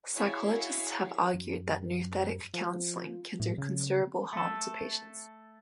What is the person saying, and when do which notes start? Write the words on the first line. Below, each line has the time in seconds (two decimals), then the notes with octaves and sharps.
Psychologists have argued that nouthetic counseling can do considerable harm to patients.
0.14 E4 F#4 G#4 C#5 F5
1.34 F#2
2.54 F3
3.40 A2
3.58 C#3
4.33 A3 A4